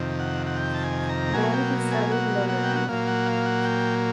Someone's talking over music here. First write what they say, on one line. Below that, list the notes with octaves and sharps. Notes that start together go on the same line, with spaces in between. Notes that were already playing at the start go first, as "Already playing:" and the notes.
Then he started murdering them.
Already playing: F2 C3 D#3
F#5
F#5
G5
A5
G#5
A#5
B2 F#3 A#3 G#5
G5
G#5
F#5
F#5
G5
F#5
A#2 F#3 A#3 F5
F#5
F5
F#5
G5